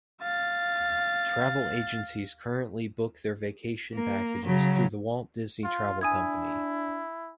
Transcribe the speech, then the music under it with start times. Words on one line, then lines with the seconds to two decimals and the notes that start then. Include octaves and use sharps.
Travel agencies currently book their vacation packages through the Walt Disney Travel Company.
0.22 F5 A6
3.95 A#3
4.46 C#3 F#3
5.64 F4
6.01 D4 E4 G#5 D#6 G#6